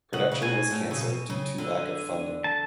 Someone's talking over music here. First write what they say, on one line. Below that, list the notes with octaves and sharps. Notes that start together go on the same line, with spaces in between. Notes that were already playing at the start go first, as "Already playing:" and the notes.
Production was cancelled due to lack of funding.
C#3 F#5
C#3
B2 G#5
A2
C#3
B2
C#3
D3
A5